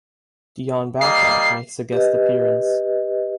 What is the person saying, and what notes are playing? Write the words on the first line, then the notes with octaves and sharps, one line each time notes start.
Dian Bachar makes a guest appearance.
G3 A#3 D#5 C7
G4 B4 D#5